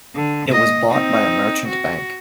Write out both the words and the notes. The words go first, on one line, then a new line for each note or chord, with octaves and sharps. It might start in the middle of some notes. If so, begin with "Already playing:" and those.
It was bought by a merchant bank.
D3
A#2 D#5
C4 D#4
F#4